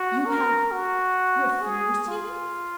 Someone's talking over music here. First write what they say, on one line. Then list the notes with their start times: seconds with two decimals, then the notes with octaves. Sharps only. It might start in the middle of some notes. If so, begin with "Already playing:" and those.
"You have--refused him?"
Already playing: F#4
0.25 A#4
0.71 F#4
1.61 G#4
2.07 F4